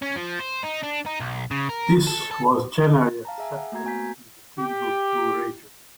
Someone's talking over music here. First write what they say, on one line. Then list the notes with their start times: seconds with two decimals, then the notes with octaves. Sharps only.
This was generally accepted in the Timbuktu region.
0.02 C#4
0.16 F3
0.40 C5
0.64 D#4
0.83 D4
1.06 D#4
1.21 B1
1.51 C#3
1.69 A#4
2.07 A4
2.31 A4
3.25 F5 A5 A#5
3.38 G#4 E5 G#5
3.57 F#5
3.72 A3 A#3 F#4 A#5 G#6
3.84 B3 F#4 G#5 G6 B6
4.58 G4